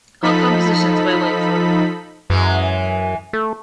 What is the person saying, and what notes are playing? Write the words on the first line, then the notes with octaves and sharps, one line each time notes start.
All compositions by Lightfoot.
F3 D#4 A4 B5 B6
F#2 E3 G#3
A3